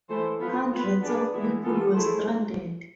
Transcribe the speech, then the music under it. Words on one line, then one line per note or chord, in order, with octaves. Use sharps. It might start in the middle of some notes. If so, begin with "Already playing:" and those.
Hundreds of people were stranded.
E3 A3 E4 A4 C5
F3 B3 F4 B4
B3 F4 B4
B3 D4 G#4 B4 D5
E3 G#3 B3 E4 G#4
E3 B3 F4 A4
A3 E4 G#4 C5